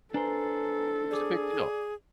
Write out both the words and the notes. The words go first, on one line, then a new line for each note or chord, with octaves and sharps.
It was a big deal.
D4 A4 B4 C5 G#5 A#5
G#4 D5 D6